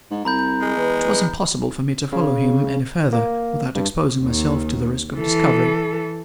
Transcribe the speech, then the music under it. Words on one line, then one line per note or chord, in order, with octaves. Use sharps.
It was impossible for me to follow him any further, without exposing myself to the risk of discovery.
G#2
C2 A#5 B5 G6
G6
G#3
E2 B4
C#3
A#3
G2
D#2
E3 A4